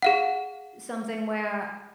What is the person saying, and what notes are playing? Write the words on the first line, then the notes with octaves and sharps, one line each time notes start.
something where
G#4 F5 F#5